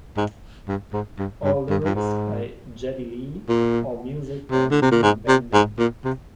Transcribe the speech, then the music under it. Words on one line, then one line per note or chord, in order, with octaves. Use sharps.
All lyrics by Geddy Lee, all music by Lee and Ben Mink.
G#2
G2
G#2
G2
G2
G2
G2
G#2
A#2
C3
D3
C3
A#2
G#2
C3
G#2
A#2
C3